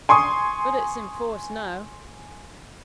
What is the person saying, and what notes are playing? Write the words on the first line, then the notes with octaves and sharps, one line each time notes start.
But it's in force now.
G#5 C6 C#6 D#6